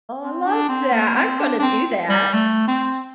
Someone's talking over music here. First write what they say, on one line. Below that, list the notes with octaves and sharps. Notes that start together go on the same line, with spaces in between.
I love that. I'm gonna do that.
C4
D4
C4
A#3
C4
D4
D4
C4
G3
A3
C4